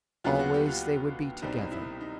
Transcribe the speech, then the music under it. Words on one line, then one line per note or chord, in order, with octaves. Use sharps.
Always they would be together.
D#2 D3 F#3 B3 F4
F#4
G4
F4
C2 B2 G3 C4 D#4
E4
D#4